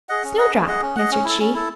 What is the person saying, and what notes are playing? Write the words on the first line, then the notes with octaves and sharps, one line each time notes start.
"Snowdrop," answered she.
G#4 D#5 F#5
C#4
G#4 D#5 F#5
C#4
G#4 D#5 F#5
C#4
G#4 D#5 F#5
C#4
E4 A4
C#4
E4 A4